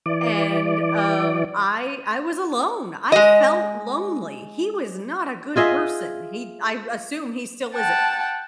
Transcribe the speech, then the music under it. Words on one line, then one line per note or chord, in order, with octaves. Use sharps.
And, um, I I was alone. I felt lonely. He was not a good person. He I assume he still isn't.
E3 D5
G#3 D#5
F4 G#4 D#5 E5
F#5 G5 A5